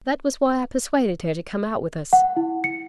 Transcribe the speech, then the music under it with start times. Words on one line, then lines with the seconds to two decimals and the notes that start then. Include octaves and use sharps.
That was why I persuaded her to come out with us.
2.13 F#5
2.37 E4
2.64 C#7